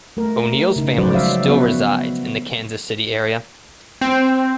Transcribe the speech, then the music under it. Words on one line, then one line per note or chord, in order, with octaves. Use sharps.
O'Neal's family still resides in the Kansas City area.
A3 A#4
C#3 D#4
F3 F#3 F#4 B4 C5 D5
G#3 C#5 D5 E5 F5
B3 F#4 B4
C4